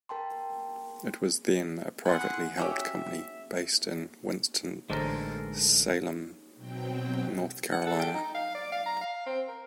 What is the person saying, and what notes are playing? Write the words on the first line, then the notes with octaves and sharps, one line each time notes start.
It was then a privately held company based in Winston-Salem, North Carolina.
A#4 G5 A5 C6
E4 G#4 F#5 B5 C6
C#4 F#4 G4 E5
A1 D3 G#3 A4 A#4 C5
B2 F#3 C4 G5
F#5
A4
G5
D#4
F5
D5
F5
A#5
F5
C4
A#4